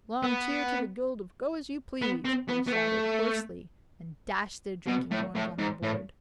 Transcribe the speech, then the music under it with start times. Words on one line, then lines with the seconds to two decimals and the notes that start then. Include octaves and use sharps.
"Long cheer to the Guild of Go-as-you-Please!" they shouted, hoarsely, and dashed their drinking-horns on the board.
0.23 B3
2.02 B3
2.25 C4
2.49 B3
2.68 B3
2.72 A3
4.87 B2
5.11 A2
5.35 A2
5.59 G#2
5.83 A2